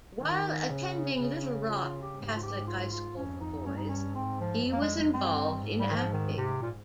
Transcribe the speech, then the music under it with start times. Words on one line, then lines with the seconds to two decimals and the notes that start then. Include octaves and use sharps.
While attending Little Rock Catholic High School for Boys, he was involved in acting.
0.21 D#3
0.70 C#3
1.20 C#3
1.68 F4
1.84 F4
2.01 G4
2.18 G#2
2.26 G4
2.35 F4
2.43 G4
2.67 F4
2.92 F4
3.16 F2 C#4
3.41 D#4
3.65 G2 C#4
3.77 D#4
3.89 C#4
4.15 G#2 C4
4.40 F3
4.64 F2
4.72 A#3
4.81 G#3
4.98 G#3
5.13 G2 C4
5.63 G#2
5.79 G3
5.91 D#3
5.97 F3
6.12 D#3
6.37 C3
6.62 A#2